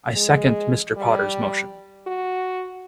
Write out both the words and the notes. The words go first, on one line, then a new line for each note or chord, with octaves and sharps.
I second Mr. Potter's motion.
G#3
G3
F#4